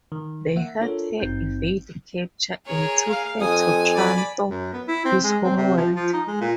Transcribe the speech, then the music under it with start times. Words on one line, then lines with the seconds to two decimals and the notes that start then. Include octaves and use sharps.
They helped her evade capture and took her to Trantor, his homeworld.
0.12 D#3
0.56 A#3 E5 F#5
0.81 D4 F4 A4 A#4 C#5
1.20 G#1 G2 C4 D#4 G6
2.67 G#4 A#4 C#5
3.09 F5
3.40 F2 G#5 D#6
3.94 D5 B5
4.50 F#2
4.73 B3
4.88 E4
5.05 C4
5.24 G#3
5.43 C4
5.57 C3
5.77 F3
5.95 F3
6.13 D#4
6.27 G#3
6.41 A#2